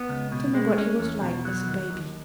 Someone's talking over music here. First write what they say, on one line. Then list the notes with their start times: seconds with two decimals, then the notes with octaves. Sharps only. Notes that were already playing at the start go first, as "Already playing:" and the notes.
Tell me what he was like as a baby.'
Already playing: B3
0.09 C#2
0.32 B2
0.55 G#3
0.78 C#4
0.99 E2
1.22 B2
1.45 F#3
1.67 D#2
1.90 D#2